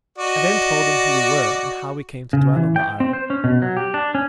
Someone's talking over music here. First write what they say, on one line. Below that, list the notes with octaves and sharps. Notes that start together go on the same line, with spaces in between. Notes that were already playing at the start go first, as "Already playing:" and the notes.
I then told him who we were, and how we came to dwell on the isle.
F#4 D5 D#5
C#3
E3
G5
C4
C5
C#4
B2
F#3
G4
D4
C#4